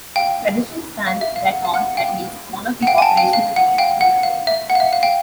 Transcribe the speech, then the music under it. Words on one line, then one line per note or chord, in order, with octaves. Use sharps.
Tradition stands that on at least one of the operational days it will rain.
F5 G5
F5
E5
F5
F#5
F5
F#5
F5 G5
F#5
F5 G5
G#5
G5 A5
F5 G5
F5
F#5
F5 G5
F#5
F5
E5
F#5
F5
E5
F5
F5 G5